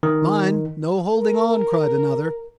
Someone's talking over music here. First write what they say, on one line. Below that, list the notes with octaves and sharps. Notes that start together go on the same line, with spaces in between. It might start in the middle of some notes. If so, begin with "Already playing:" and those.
"Mind, no holding on!" cried another.
D#3
A#4